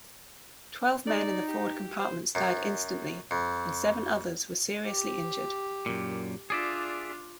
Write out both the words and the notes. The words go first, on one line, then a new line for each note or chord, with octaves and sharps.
Twelve men in the forward compartments died instantly and seven others were seriously injured.
D#4 D5
G4
C5
F#2
F2
G4
F#2 A#2
D4 F4 G#4 D5 E5